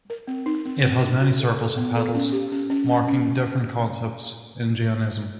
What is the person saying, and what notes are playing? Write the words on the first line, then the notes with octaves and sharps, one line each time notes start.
It has many circles of petals marking different concepts in Jainism.
A#4
C4
D#4
C4
C4
D4
F#4
A4
A4
B3
A4
C#4
G4
C#4
C#4
C#4
C#4